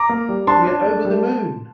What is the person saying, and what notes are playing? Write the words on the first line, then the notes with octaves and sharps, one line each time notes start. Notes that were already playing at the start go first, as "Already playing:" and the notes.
We’re over the moon!
Already playing: A#5 D6
A#3
G3
D4 A5 C6
D4
D4
G3